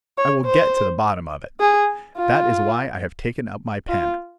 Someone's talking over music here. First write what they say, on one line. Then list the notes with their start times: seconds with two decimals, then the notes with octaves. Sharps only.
I will get to the bottom of it! That is why I have taken up my pen....
0.18 C#5
0.46 C5
1.60 G#4
2.17 F4
3.89 F4